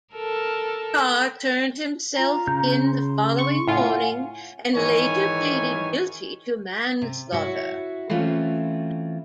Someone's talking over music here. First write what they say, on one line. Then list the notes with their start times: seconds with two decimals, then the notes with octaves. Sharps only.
Carr turned himself in the following morning and later pleaded guilty to manslaughter.
0.14 A4 A#4
2.17 F4 A#5
2.47 C#3 G6
2.86 C6
3.38 C#6
3.67 A2 F4 F5 F#5 G#5
4.76 G#2 D#3 E3 C#5 G#5
7.02 C3
7.32 E4 F#4 C#5
8.10 E3 A3 C4 C#4 F4